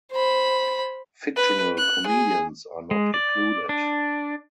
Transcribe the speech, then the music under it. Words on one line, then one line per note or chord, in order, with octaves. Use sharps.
Fictional comedians are not included.
C5 B5
B4
F#6
G#4
G#3
D5
D4